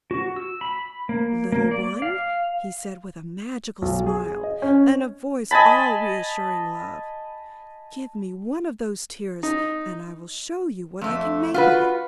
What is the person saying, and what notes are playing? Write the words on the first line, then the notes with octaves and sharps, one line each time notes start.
"Little one," he said, with a magical smile, and a voice all reassuring love, "give me one of those tears, and I will show you what I can make of it."
F#4
E6
B5
A#3
A#3
D5
F5
B1
G#4
D#5
C#4
D#5 G#5 A5 B5
D#4
F2 A3
F4 F#4 B4